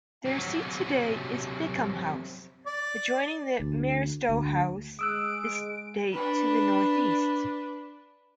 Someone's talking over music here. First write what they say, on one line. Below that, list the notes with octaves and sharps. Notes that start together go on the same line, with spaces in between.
Their seat today is Bickham House, adjoining the Maristow House estate to the north-east.
C3 F#3
D5
D2
D2
G#3 D#6 E6 F#6 D7
D4 B4